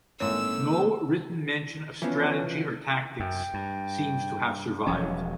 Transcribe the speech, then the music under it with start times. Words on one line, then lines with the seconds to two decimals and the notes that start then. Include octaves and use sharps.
No written mention of strategy or tactics seems to have survived.
0.20 A1 G#2 D#3 A#3 C4 A4 C#5 E6
2.02 E3 F3 B3 C#4
3.20 F#2 G5
3.54 G2
4.87 E1 F3 F#3 C#4